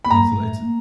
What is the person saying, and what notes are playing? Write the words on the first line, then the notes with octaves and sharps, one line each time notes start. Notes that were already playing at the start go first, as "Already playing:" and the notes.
Yeah, so, li it's
B3 B5
A#3 A#5
A3
A#3